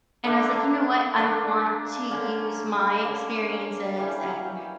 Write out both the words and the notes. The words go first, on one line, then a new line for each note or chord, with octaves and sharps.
And I was like, "You know what, I want to use my experiences and
D3 A#3 D4 E5
D3 A#3 D4
D3 A#3 C#4
D3 A#3 C#4
E3 G3 C#4 G5